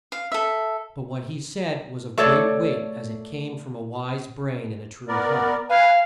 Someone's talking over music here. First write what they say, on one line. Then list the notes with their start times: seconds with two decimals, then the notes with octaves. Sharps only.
But what he said was of great weight as it came from a wise brain and a true heart.
0.12 F5
0.32 A4 E5
2.18 A3 A4 C#5 D5
5.08 B3 A#4 D5
5.70 B4 F5 G#5